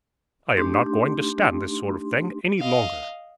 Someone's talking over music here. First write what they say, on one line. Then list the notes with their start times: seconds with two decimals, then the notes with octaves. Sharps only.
'I am not going to stand this sort of thing any longer.
0.57 A3 D4 D#4 G4 C6
2.59 D#5 F5